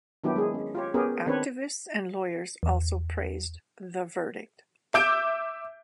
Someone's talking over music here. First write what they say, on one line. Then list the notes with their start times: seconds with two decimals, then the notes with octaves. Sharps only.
Activists and lawyers also praised the verdict.
0.24 D#3 F#3 B3 D4 E4 G4
0.36 G#3 G#4
0.54 C#4
0.75 F4 G4 C#5
0.94 B3 C#4 G4 G#4 A#4
1.27 D#3 C4 D4 B4 C#5
2.63 E2
4.94 E5 D6 E6 G6 D7